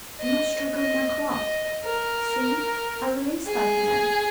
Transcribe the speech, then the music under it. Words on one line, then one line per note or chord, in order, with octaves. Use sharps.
Do not struggle in my clasp: see--I release thy hand.
D#5
D#5
D#5
A#4
G#4